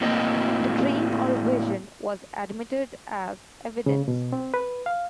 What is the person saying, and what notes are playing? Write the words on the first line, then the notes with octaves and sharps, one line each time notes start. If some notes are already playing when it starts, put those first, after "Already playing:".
The dream or vision was admitted as evidence.
A2 A#3 C4 D#5
C#3
B2
C4
B4
F5